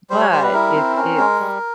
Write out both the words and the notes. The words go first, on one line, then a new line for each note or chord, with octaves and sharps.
But if it's,
G3 C5
C#5
G3 C5
B4
E4 A#4
C4
C#4 A#4
G#3
G3